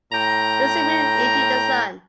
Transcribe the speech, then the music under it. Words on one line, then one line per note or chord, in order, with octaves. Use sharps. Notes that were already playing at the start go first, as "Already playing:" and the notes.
Is the moon eating the sun?
A2 G5 A#5